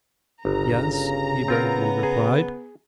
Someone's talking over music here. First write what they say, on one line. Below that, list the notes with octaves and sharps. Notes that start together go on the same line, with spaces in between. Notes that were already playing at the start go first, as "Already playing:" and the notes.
"Yes," he bravely replied.
G1 C#3 A#5
B3 C4 F4 A#4
G#4